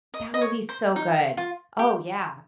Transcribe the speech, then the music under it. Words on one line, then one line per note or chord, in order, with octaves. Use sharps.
That movie's so good, oh yeah.
D#5
D#5
C#5
C5
D#4
F4
G4